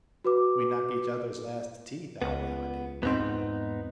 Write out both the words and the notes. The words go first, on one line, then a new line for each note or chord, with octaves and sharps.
We knock each other's last teeth out nowadays.
F#4 B4 D6
C#2 B3
E2 G#2 B3 C4 D#4